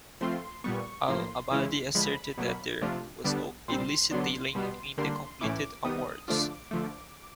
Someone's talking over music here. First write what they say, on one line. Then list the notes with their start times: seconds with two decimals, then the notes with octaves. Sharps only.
Al-Abadi asserted that there was no illicit dealing in the completed awards.
0.21 F3 A3 C4 F4 C6
0.64 A#2 G3 B3 C#6
1.08 A2 F3 A#3 C6
1.51 C#3 E3 G#3 C#4 E4
1.95 D3 F3 G#3 B5
2.38 B2 F#3 A#3
2.82 C3 F3 A3 D4 F4
3.24 D3 G3 B3 D4
3.68 A#2 G3 C4 C6
4.11 D3 F#3 B3 D4 C6
4.55 B2 G3 B3
4.98 D3 G3 A#3 D4 C6
5.41 A2 E3 A3 C#4 E4 D6
5.84 D#3 G3 B3 D#6
6.28 D3 F3 A3 D4 F4 D6
6.71 D3 F3 A3